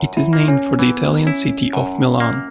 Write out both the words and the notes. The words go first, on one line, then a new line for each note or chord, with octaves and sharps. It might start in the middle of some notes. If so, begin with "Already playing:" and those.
It is named for the Italian city of Milan.
Already playing: F#2
E4
A#3
C#4
E3 B3
C#4 E4
F#2
A#3